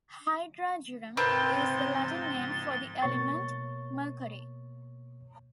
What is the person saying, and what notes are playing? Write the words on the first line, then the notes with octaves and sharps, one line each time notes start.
"Hydrargyrum" is the Latin name for the element mercury.
G#2 C3 C4 G4 A#4 B4 C6 A6
B2 A#3 C#5 C#6 A6